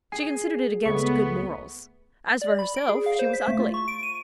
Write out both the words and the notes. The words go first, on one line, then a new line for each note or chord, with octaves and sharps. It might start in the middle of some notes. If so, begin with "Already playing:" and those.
She considered it against good morals. As for herself, she was ugly.
G#4 G#5 C7
C#2 A3 B3 C#6
D5
B5
D7
G#4
F5
C5
B6
A3
F4
C#6
D7
D#7